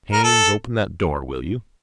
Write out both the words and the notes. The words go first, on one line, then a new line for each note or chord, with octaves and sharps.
Haines, open that door, will you?
A#4
A4